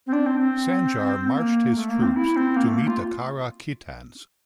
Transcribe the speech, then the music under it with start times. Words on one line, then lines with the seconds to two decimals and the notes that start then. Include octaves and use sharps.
Sanjar marched his troops to meet the Kara-Khitans.
0.07 C4
0.13 D4
0.26 C4
0.40 C4
1.34 A#3
1.75 A3
1.89 A#3
2.02 C4
2.16 E4
2.36 C4
2.56 A#3
2.67 A3
2.77 A#3
2.87 F4